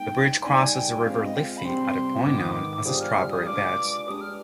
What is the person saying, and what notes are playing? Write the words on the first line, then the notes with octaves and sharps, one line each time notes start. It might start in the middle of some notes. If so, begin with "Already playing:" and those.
The bridge crosses the River Liffey at a point known as the Strawberry Beds.
Already playing: G#3 B3 D#4 G5
G3 B3 D#4 G#4 D5 G#5
G5
G#3 C4 F4 G#4 F5
D#5
G5
F5
B5
C3 G3 C4 C6
G#2 D#3 B3 D6
D#6
D6
D6
G3 D4 F4 G#4 C5 D#6
F6
F6
D#6
G#3 D4 F4 B4 D5 D6
G#3 D4 G4 B4 D#6
F6